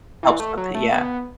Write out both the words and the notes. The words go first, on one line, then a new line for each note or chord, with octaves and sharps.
Helps with it, yeah.
E3
A3
F#3
A3
B3